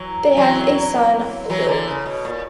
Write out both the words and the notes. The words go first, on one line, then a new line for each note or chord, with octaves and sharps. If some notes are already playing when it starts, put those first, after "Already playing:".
They have a son, Luke.
Already playing: E3 F#3
E3 F#3
E3 F#3
D3 E3
C#3
B2
A#2